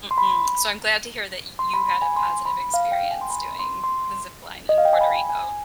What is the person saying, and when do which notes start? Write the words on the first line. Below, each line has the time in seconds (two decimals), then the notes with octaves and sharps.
Mm-mm. So, I'm glad to hear that you had a positive experience doing the zip line in Puerto Rico.
0.11 C6
0.18 B5
1.59 C6
1.74 B5
1.89 B5
2.02 G#5
2.16 C6
2.45 B5
2.74 F5
2.92 G5
3.11 G#5
3.21 C6
3.30 B5
3.59 C6
3.84 C6
4.69 D#5
4.78 F5
4.85 G5
4.93 G#5
5.01 B5
5.29 G#5